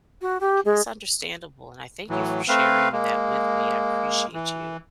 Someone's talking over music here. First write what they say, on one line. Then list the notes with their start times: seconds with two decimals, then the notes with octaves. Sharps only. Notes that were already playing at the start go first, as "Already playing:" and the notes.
It's understandable, and I thank you for sharing that with me, I appreciate you.
0.22 F#4
0.41 G4
0.65 G#3
2.09 A2 E3 F#3
2.48 A3 C4 B4 F5
2.92 G#3 A#3
4.34 E3